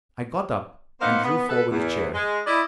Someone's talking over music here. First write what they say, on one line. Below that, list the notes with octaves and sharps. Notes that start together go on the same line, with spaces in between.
I got up and drew forward a chair.
A#3 B3 D#4 C5 F5 F#5
B3
A4 B4
E2
G#3
E4 D5 D#5